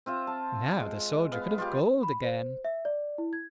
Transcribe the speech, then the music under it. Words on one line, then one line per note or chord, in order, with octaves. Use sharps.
Now the soldier could have gold again.
C4 F4 E5
A5
G#3
B3 F5
F4 G4
B5
C5
E5
D5
E4
G#6